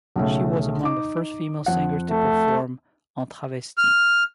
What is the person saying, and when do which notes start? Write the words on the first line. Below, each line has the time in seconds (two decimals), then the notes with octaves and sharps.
She was among the first female singers to perform "en travesti".
0.16 B1 C#3 A3
0.83 D#4 D6
1.66 F2 F#5
2.11 A3
3.78 F6